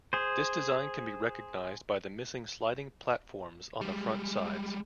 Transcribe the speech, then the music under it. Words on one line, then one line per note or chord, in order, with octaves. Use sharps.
This design can be recognized by the missing sliding platforms on the front sides.
G#4 C5
G3 G#3